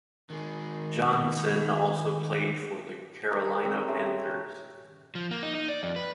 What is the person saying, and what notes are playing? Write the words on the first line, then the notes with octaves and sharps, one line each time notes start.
Johnson also played for the Carolina Panthers.
D#3 G#3
A#4
C4 C#5
A3 C#4 G#4
G4
F3
A#3
D#4
D#4
D5
F2
B4